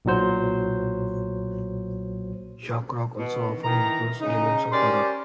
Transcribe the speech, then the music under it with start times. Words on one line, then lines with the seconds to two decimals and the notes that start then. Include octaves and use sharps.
Shock rock also often includes elements of horror.
0.05 B1 A#2 F#3 C5
3.18 B2
3.63 D#3 E3 A#5
4.20 C#3 D#4
4.71 C#4 G4 A#4 C5 D5